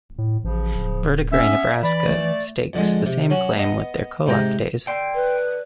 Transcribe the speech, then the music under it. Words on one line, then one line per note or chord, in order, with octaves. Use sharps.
Verdigre, Nebraska, stakes the same claim with their Kolach Days.
A2
A1 C#3 F3
D1
B3 C#4 E5
E3 D5 B5
A3
F2 D3 G#3
C3
F#3 C#4 F#4
B3 D#5
G#2 C3 G5 A#5
D3 G5 C6
B4